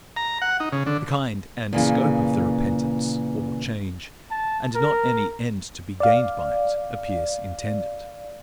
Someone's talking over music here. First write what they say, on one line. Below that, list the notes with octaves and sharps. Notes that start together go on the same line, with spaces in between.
The kind and scope of the repentance or change, and not any end to be gained by it, appears intended.
A#5
F#5
D#4
C#3
D3
A#2 C#3 E3
A5
A#4
D5 F5